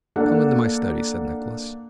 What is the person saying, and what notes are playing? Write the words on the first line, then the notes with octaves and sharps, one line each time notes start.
"Come into my study," said Nicholas.
A#3 D4 A4 F#5